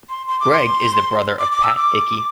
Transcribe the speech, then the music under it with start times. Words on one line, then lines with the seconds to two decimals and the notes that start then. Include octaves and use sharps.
Greg is the brother of Pat Hickey.
0.09 C6
0.28 C6
0.40 D6
0.53 C6
1.39 D6
1.52 D6
1.64 E6
1.76 D6